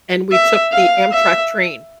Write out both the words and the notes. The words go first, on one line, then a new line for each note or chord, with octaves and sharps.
and we took the Amtrak train,
E5
F5
E5